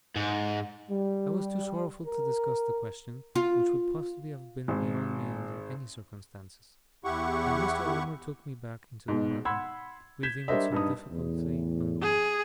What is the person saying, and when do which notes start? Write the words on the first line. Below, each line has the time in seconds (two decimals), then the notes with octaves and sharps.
I was too sorrowful to discuss the question, which would possibly have been beyond me under any circumstances; and Mr. Omer took me back into the parlour, breathing with some difficulty on the way.
0.16 G#2
0.90 G3
2.05 A#4
3.35 F4
4.68 G#1
7.04 E2 E4 G4 F#5 C#6
9.08 G#2 B2
9.45 F#5 B5 C6 E6 G#6
10.23 G6 G#6 B6 E7
10.48 G3 D4 A#4 C5 D#5 E5
10.72 G2 D#4 D#6
11.12 E2 A2
12.01 G#4